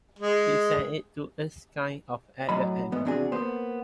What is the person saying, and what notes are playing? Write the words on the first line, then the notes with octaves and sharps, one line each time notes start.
He sent it to us kind of at the end.
G#3
F#2 A2 F#3 D#5 B5
E2 G#2 B3
E2 C3 D4 F#4 G#4
A#3 B3 C5